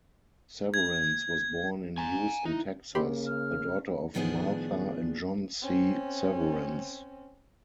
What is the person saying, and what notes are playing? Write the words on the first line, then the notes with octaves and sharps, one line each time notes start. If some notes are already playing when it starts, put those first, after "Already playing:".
Severance was born in Houston, Texas, the daughter of Martha and John C. Severance.
G#6
G#5 A#5
D#4 E4
C#3 A#3 G4 B5 C6
F6
A2 D#3 F3 B3 D4 G#4
C4 C#4